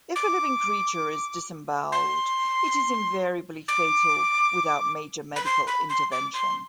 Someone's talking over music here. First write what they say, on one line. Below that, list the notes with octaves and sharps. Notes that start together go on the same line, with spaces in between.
If a living creature is disemboweled, it is invariably fatal without major medical intervention.
D6
C6
D6
B5
C6
B5
C6
D6
C6